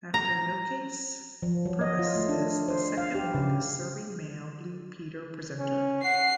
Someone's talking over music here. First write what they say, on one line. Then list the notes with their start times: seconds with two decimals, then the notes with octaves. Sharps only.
After Noakes, Purves is the second longest serving male Blue Peter presenter.
0.14 A#5
1.43 F3
1.65 F#3
1.81 D#5
1.99 F4
2.15 A3
2.29 D4
2.68 C5
2.97 F5
3.15 G4
3.35 C#3
5.59 C#4
6.04 F#5 C7